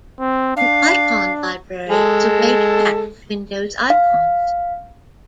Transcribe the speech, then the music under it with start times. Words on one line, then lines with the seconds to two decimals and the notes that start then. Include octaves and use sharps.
An icon library is a way to package Windows icons.
0.20 C4
0.56 D4 F5
1.89 G#3 A4
3.90 F5